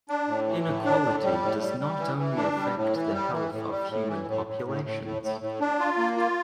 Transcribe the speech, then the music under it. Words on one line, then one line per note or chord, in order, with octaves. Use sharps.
Inequality does not only affect the health of human populations.
D4
A2
E3
A2
D4
A2
G3
A2
G3
G3
E3
E3
D4
G3
A2
E3
G3
E3
A2
G3
A2
E3
A2
A2
A2
A2
A2
A2
A2
D4
F4
A#3
F4